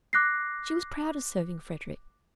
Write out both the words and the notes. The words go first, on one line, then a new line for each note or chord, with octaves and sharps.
She was proud of serving Frederick.
D6 F#6 A#6 C7